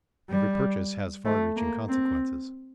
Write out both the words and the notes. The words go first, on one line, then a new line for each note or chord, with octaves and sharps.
Every purchase has far-reaching consequences.
G3
A3
A#3
C4